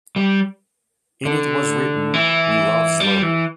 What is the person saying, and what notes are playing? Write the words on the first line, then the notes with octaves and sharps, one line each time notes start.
In it was written: "We love Slough".
G3
D3
E3
G3
E3